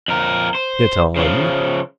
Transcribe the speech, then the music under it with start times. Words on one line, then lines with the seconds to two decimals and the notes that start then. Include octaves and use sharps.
Get on.
0.08 F2 A#4
0.55 C5
1.16 C#3 F3